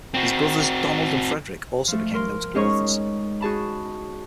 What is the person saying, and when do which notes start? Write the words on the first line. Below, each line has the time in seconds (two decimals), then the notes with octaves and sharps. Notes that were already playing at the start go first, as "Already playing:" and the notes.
His brothers Donald and Frederick also became notable authors.
0.14 C4 F#4
1.88 F3 A3
2.14 A#4 C6
2.55 G#3 C#4 D#4 G#4 C#5 C#6
3.41 F#4 G#4 A5 B5